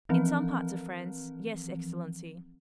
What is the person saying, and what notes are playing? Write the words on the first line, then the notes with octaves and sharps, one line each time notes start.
"In some parts of France--yes, excellency."
E3 F3 C4